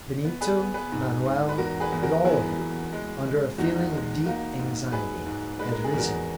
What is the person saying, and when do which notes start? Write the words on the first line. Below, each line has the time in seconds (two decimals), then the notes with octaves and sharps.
Benito, Manoel, and all of them, under a feeling of deep anxiety, had risen.
0.25 B3
0.41 G#4 B4
0.59 B3
0.74 G#4 B4
0.92 G#2
1.25 G#2
1.49 B4
1.58 E2 F#4 A#4
1.80 G#4 B4
1.92 E2
2.03 F#4 A#4
2.25 B3 E4 G#4
2.58 F#3
2.93 G#3
3.26 G#3
3.58 E2 D#4 F#4
3.92 G#3
4.26 A#3 D#4 F#4
4.59 G#2
4.92 F#3 G#4 B4
5.26 G#2
5.59 G#3 B4
5.72 A#4
5.84 G#4
5.93 E2 F#4 A#4